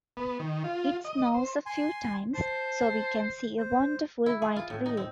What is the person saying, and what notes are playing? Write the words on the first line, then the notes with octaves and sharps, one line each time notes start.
It snows a few times, so we can see a wonderful white view.
B3
D#3
F4
D#5
C5
G#5 C6
C5 A5
C5
E4
G#4
F4
A2
D#4
C4